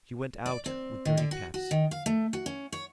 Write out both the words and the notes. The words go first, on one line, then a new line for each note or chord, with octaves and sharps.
She went out, with dirty caps.
D5
C4
D#3
D3
F#4
F#4
D#3
F5
A3
F#4
C#4
C#5